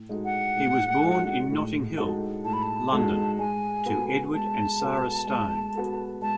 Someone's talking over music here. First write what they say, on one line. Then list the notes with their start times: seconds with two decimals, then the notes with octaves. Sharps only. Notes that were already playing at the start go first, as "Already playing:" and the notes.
He was born in Notting Hill, London to Edward and Sarah Stone.
Already playing: A2
0.09 G#3 D#4 F#4 A4
0.25 F#5
0.56 A2
1.03 G#3 D#4 F#4 A4
1.51 A2
1.97 G#3 D#4 F#4 A4
2.45 A2 A5
2.53 B5
2.63 A5
2.92 G#3 D#4 F#4 A4
3.39 G#3 G#5
3.86 B3 F#4 A4
4.34 G#3 A5
4.81 B3 F#4 A4
5.27 G#3
5.75 B3 F#4 A4
6.22 G#3 A5